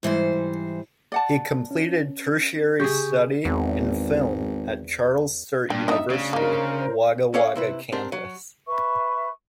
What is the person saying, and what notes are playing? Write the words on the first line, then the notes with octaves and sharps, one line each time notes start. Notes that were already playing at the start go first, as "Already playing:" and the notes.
He completed tertiary study in film at Charles Sturt University, Wagga Wagga Campus.
G#2 E3 G3 C5
D5 F#5 A5
C#4
C#3 G4 G#4 C#6 G6
G#1 E2
G2 A#2 G5
F#2 B3 D#4 D#5 E5
D2 C#3 D4
A#3 D#4 A#4 C5
C#4 A4 C#5 D5 F5 F#5
C3 E4 B4
C4 D4 G4 A#4
F#3
B4 E5 C#6